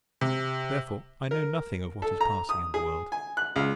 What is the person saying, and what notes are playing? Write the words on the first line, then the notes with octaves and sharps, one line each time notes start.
Therefore, I know nothing of what is passing in the world.
C3
A#4
A4
A#5
D#6
G#4
G#5
F#6
C#2